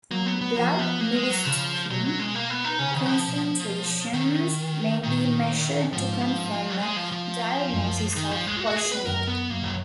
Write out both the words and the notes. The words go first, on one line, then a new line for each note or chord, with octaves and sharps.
Blood myristicin concentrations may be measured to confirm a diagnosis of poisoning.
F#3 A#3
B3
B3
F3 A#3
B3
A#3
G#3
F#3
C#3 F3
B2 F#3
F#3
G#3
A#3
B3
D#4
C#3 C#4
D#3
F#3
F3
B2
D#3
A#2 D#3
G#2 F3
F#3
G#3
F3
F3
F#2
D#3
F3
G#3
F4
F#4
G#4
B4
F#2 A#4
B3
F#2 A#3
F#3